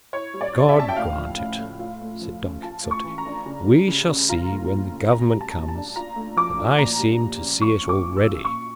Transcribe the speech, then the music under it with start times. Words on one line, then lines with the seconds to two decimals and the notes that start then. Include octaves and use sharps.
"God grant it," said Don Quixote; "we shall see when the government comes; and I seem to see it already."
0.13 E4 C#5
0.34 G3
0.41 D5
0.55 C#3
0.69 E5
0.76 C#4 A5
0.89 G5
0.96 A2 F5
1.18 F3
1.39 A2
1.59 A3
1.79 F4
2.01 A3
2.21 F3
2.42 C#4
2.63 F4 A5
2.84 A3
2.91 C#6
3.04 E3
3.18 A#5
3.26 D4
3.46 C#3
3.67 G3
3.88 C#3
4.09 C#4
4.29 F4 A#5
4.51 A3
4.71 A#2
4.92 C#4
5.12 A#2 A#5
5.34 G3
5.41 A5
5.54 A#2
5.68 A5
5.75 D4
5.96 F4 A#5
6.16 A3
6.37 F3 D6
6.59 D4
6.78 A#2 A#5
6.99 G3
7.21 A#2
7.41 C#4
7.62 F3 C#6
7.83 C#4
7.89 D6
8.04 F3
8.17 E6
8.25 F4
8.45 A#2 C#6